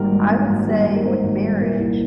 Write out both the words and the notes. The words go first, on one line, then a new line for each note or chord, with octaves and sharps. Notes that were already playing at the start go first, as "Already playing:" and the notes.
I would say with marriage,
Already playing: G#1 G3 A#3 A#4
G#2
A#3
G#1
G3
G#2
A#4
A#3 C5
G#1
G3
A#2 A#4
C2